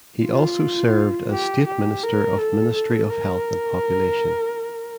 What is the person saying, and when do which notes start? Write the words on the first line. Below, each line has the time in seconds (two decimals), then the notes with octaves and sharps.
He also served as State Minister of Ministry of Health and Population.
0.24 F4
1.31 G4
1.67 G4
2.03 A#4
2.39 A4
2.74 A4
3.10 A#4